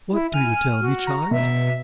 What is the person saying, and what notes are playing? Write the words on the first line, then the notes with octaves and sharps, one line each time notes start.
'What do you tell me, child?'
E4
G#5 F6
F#4
A#5
B2 E5